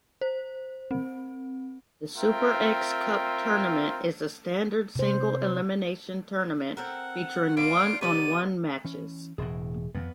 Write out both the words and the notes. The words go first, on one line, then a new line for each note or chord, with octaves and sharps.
The Super X Cup tournament is a standard single-elimination tournament featuring one-on-one matches.
C5
C4
C4 F4 A#4 E5 G5
C3 C5
C4 A4 A#4 F#5
A#3 B3 D4 F4 D7
C3 B3 D5 D#5 D#7
E3 C#4
E1 A2 G#4 E5 F#5
F2 B3